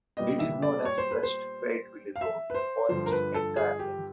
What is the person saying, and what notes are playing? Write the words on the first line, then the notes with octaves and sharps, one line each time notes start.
It is known as West Fayetteville Road for its entire length.
A#2 G3 B3 D#5
E5
D5
C#5
C5
B4
C5
F5
E5
B4
C5
G2 D3 F3 C5
A#4
B4
A4
G#4
G4